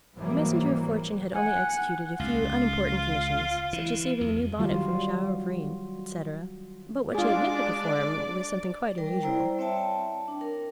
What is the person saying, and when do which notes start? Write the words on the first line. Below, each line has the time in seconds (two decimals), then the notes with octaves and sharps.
The messenger of Fortune had only executed a few unimportant commissions, such as saving a new bonnet from a shower of rain, etc.; but what she had yet to perform was something quite unusual.
0.16 G#2 C3 E3 F#3 G3 A#3
1.34 F#5 G#5
2.19 C#2 F4
3.73 E3
4.21 F2
4.58 D#3 F#3 G3 F4
7.15 G#3 D4 F4 G#4 D5
8.98 G3 A#4 D5 G5
9.23 G3 E4 C5 D5 G5 A#5
9.59 C4 C#5 E5 G5 A5
10.28 D4
10.41 A#4